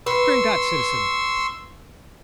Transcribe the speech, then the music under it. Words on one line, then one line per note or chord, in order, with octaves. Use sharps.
Drink that, citizen.
B4 C6 C#6 E6